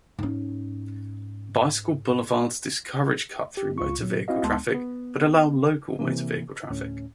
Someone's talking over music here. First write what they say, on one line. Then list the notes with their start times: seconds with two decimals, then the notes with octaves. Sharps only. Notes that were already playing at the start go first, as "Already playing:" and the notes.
Bicycle boulevards discourage cut-through motor-vehicle traffic but allow local motor-vehicle traffic.
0.19 G#2 C#4
3.57 G4
3.78 C#2 F4 C#6
3.98 A#2 F#3
4.28 C4 E4 F#4 D#5 F5
4.43 D2 G#3 B3 A5 C6
4.74 B3
5.99 C3 E3 A#3
6.70 D2 A2 C#4